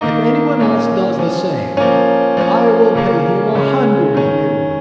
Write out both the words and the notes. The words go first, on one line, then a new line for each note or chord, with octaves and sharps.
If anyone else does the same, I will pay him a hundred imperials.
D#3 A#3 D#4
A#2 A#3 C#4
F3 C#4
F3 A#3 C#4
F3 A#3 C#4
C#3 A#3 C#4
C#3 G#3 C#4
D#3 C#4